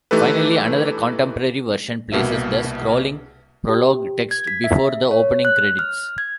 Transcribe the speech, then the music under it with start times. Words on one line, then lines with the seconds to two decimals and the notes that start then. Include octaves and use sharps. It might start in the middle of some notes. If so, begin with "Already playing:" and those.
Finally, another contemporary version places the scrolling Prologue text before the opening credits.
0.11 E3 A3 D#4 G4 A4 B4
2.12 C2 B2 A#3 E5
3.69 G4
4.31 G#6
4.47 B6
4.64 E5
5.11 C#5
5.45 F#6
5.79 F6
6.18 G#6